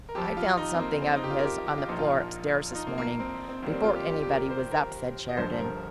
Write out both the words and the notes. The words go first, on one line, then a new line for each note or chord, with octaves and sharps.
"I found something of his on the floor up-stairs this morning, before anybody was up," said Sheridan.
A#4
F2 F3 G4
F4
D#4
C4
A#3
C4
D#4
G4
F4
A#4
G4
G4
F4
A#1 A#2 F3 D#4
F4
F4
D#4
A#3
A#3
A#3
C4
C4
D#2 D#3 G3 A#3
C4
F4
G4
G4
G4
A#4
C5
A#4
D#5
G1 G2 F3 C5
A#4